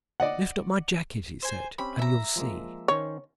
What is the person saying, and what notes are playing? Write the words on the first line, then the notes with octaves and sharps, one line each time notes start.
"Lift up my jacket," he said, "and you'll see."
D5 D#5 F#5
C5 G#5
C4 C#4 G4 B5
E5 A#5
F3 G#3 A#3
D#3 C#4 C5 C#5